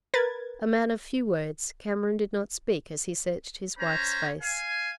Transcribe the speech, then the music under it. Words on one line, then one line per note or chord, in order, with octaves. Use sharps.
A man of few words, Cameron did not speak as he searched his wife's face.
A#4 B4 G#6 A6
C#4 C5 A#5
F5 G#5